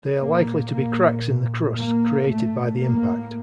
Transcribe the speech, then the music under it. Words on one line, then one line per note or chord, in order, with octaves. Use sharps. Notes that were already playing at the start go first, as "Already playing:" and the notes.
They are likely to be cracks in the crust created by the impact.
A#2 A#3
A#3
A#3
A2 A3
A#3